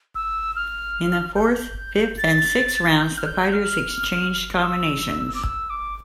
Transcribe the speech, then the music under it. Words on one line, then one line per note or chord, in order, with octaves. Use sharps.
In the fourth, fifth and sixth rounds the fighters exchanged combinations.
E6
F6
G6
A6
G6
F6
G6
F6
E6
D6
E6
D6